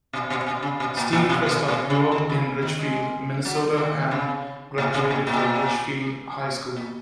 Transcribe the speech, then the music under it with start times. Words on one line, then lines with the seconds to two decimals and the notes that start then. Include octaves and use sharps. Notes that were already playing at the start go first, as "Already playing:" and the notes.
Steve Christoff grew up in Richfield, Minnesota and graduated from Richfield High School.
0.13 B2
0.30 B2
0.47 B2
0.63 C#3
0.80 B2
0.97 A#2
1.13 A#2
1.29 B2
1.46 B2
1.68 B2
1.90 C#3
2.12 D#3
2.30 C#3
2.63 D#3
2.79 G#3
3.45 F#3
3.78 D#3
4.11 C#3
4.78 A#2
4.94 B2
5.11 A#2
5.27 A#2
6.76 A#2